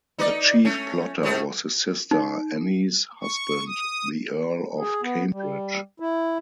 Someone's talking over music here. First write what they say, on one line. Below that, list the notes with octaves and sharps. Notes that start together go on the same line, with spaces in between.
The chief plotter was his sister Anne's husband, the Earl of Cambridge.
D#4 B4 D5
A3 C#4
G#2 A3 G#4
D#4
C#6
D#6
G#4
B3
G3
E4